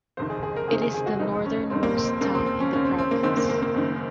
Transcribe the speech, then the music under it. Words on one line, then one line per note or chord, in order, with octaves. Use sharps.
It is the northernmost town in the province.
F#1 F2 C3 D#3 C5
G#4
G#4
A#4
F#1 F2 C3 D#3 G#4
G#4
G#4
F#4
F1 F2 D#3 D#4
C#4
F1 F2 D#3 C4
A#3
C4
C4
D#2 C#3 A#3
C4
C4
C#4
D#2 C#3 C#4
C4
C4
A#3
F#1 F#2 D#3 C4
A#3
A#3
A#3
F#1 F#2 D#3